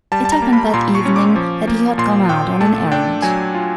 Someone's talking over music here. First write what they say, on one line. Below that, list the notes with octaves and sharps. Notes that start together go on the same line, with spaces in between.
It happened that evening that he had gone out on an errand.
G3 A5
A5
A#5
A#3
B5
A#2 C6
C#6
C#4
D6
F3
A#3
A#2 C6
A#2 G5
A3 A5
D4 G5
F#3 G#5
F4